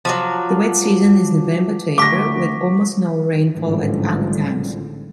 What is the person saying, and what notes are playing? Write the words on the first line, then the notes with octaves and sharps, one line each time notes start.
The wet season is November to April with almost no rainfall at other times.
F3 F#3 A5 D6
D2 C#6 D6 A#6 B6
A1 G#2 D3 F3 G3